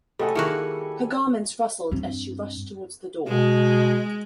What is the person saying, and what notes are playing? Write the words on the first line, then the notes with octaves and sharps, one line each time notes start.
Her garments rustled as she rushed towards the door.
C3 G3 A3 A4 D#5 F#5 G#5
D#3 A#3 E4 F#4 G#4 C#7
G2 C4
B2 G#3